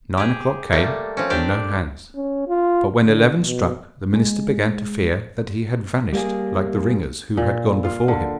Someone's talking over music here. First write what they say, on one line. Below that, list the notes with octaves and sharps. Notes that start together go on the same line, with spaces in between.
Nine o'clock came, and no Hans, but when eleven struck the minister began to fear that he had vanished like the ringers who had gone before him.
G4 G#4
G3 A3 A#3
F3 C4 C#4
D4 G4 C5 D5
C#4
F4
D3
B2
G#3
G3 A#3 G#4
A#2
F4
D3